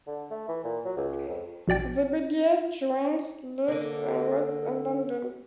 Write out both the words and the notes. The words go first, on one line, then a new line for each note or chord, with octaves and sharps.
Zebedee Jones lives and works in London.
D3
A3
E3
A#2
F#3
C#2
F2
A#1 B2 D5 G5 A6
D3 A#3